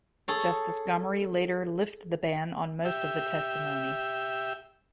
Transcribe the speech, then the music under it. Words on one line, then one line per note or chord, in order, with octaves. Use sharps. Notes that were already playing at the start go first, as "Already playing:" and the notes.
Justice Gomery later lifted the ban on most of the testimony.
G#4 A4 C#5
G4 E5